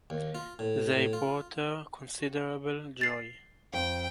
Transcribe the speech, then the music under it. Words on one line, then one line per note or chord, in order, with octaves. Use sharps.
They brought her considerable joy.
D#2
F4
A2
A2
F4
A6 C7
F2 G5